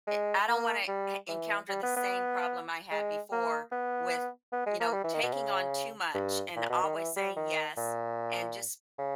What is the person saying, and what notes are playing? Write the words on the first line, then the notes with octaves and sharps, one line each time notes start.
i I don't wanna heh encounter the same problem I had before with, you know, taking on too much, and always saying, "Yes." And just,
G#3
A#3
G3
E3
G3
B3
B3
G#3
A#3
B3
B3
G#3
A#3
G3
E3
D#3
B2
C#3
G2
A#2
B2
D#3
E3
G3
D#3
A#2
C#3